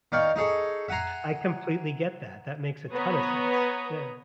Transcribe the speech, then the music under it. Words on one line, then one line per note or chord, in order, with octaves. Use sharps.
I completely get that, that makes a ton of sense. Yeah.
D#3 D5 F5 G5 C#6
D#4 G#4 A4 C#5
E5 F#5 G#5 A#5 C6
B3 B4 C#5 A#5 D#6